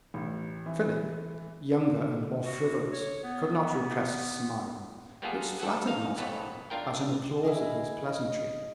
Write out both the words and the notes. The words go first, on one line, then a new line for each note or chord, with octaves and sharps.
Philip, younger and more frivolous, could not repress a smile, which flattered Mazarin as an applause of his pleasantry.
A1
E3
F#4
C#5
B3
G3 A#3 B3 F4 G#4 A4
G3 A4 F#5 G#5
D#4 F5
A#1 F2 B3 A4 B4 C#5
B1 D4 F4 A#4 G5
E4 G4 G#4 D#5
D#5